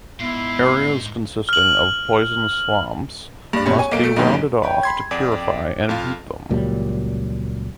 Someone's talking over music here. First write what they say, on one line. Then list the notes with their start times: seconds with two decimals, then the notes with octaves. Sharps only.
Areas consisting of poison swamps must be rounded off to "purify" and beat them.
0.20 G#2 B3 E4 C7
1.49 F6 F#7
3.53 G2 D4
3.66 B2 G3 C#4
3.78 C#5 G#5 C#6
3.91 B1 A#3 D7
4.03 A3 D7
4.16 B1 G2 A#2 D#3 F#3
4.63 B4 C#5 G5
4.83 G#4 B5 C6 G#6
5.11 F2 G#4 D5 F#5 D#6
5.32 D4 G4
5.89 F2 F4 F5
6.50 C#2 A#2 F#3 G3